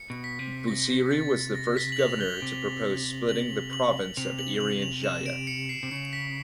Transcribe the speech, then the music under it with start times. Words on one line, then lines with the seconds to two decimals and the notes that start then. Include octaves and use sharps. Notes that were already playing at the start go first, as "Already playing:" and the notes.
Busiri was the first governor to propose splitting the Province of Irian Jaya.
Already playing: C#7
0.10 B2
0.24 B6
0.39 C3
0.68 A#6
1.11 A6
1.55 A#6
1.77 B6
1.92 F#7
1.99 F7
2.21 G7
2.42 C3
3.29 F#7
3.73 F#7
4.17 C3 F7
4.39 F#7
4.61 F#7
4.82 F7
5.04 E7
5.26 D7
5.47 C#7
5.69 C7
5.83 C3
5.91 C#3 C#7
6.13 B6